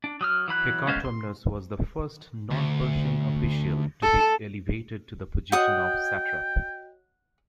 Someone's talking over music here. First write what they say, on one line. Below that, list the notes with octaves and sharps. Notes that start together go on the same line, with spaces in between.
Hecatomnus was the first non-Persian official to be elevated to the position of satrap.
D4
F#3 D#6 F6
E3 F#3 B5 F#6
G#3 B3 C#4 C5 F5
C6
D2
A4
F#4 C#5 D#5 F#5 G5 D#6